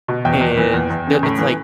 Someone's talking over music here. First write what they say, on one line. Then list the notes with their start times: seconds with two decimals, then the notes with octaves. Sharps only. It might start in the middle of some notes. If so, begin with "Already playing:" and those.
and they'll it's like,
0.08 B2
0.25 E2 G5
0.41 E2
0.57 E3
0.74 E2
0.90 E2
1.07 C#3
1.23 A2
1.39 E3